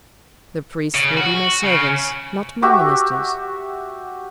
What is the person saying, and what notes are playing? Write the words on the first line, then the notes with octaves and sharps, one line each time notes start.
"The priests will be my servants, not my ministers."
C#3
F#4
C#3
F#4 G4 E5 C#6